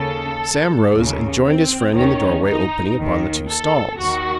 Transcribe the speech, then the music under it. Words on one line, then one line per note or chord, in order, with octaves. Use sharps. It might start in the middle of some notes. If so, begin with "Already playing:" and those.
Sam rose and joined his friend in the doorway opening upon the two stalls.
Already playing: D#2 C#3 A4
D#2 C#3
C4
D#2 D#3 C#4
D#4
D#2 D#3
A4
D#2 D#3 F#4